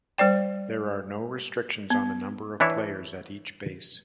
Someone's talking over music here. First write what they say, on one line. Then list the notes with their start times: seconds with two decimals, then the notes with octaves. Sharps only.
There are no restrictions on the number of players at each base.
0.18 G3 C5 D5 G5
1.90 B3
2.60 E3 D4 E4 C#5